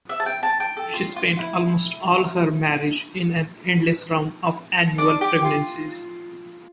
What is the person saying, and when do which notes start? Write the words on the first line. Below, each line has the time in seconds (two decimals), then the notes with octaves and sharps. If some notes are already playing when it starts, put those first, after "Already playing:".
She spent almost all her marriage in an endless round of annual pregnancies.
0.09 E5
0.20 A5
0.26 G5
0.43 A5
0.60 G5
0.77 A4
0.94 F4
1.16 F4
1.39 E4
4.98 D4
5.21 G4
5.44 F4